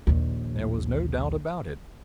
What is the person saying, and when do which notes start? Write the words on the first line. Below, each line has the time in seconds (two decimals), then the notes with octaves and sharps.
There was no doubt about it.
0.07 A#1 D#2